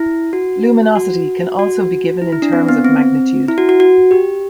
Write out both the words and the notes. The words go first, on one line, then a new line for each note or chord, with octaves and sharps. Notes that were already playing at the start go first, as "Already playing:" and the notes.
Luminosity can also be given in terms of magnitude.
Already playing: E4
F#4
F#4
F#4
E4
E4
D4
C4
B3
C4
E4
F#4
F#4
F#4
G4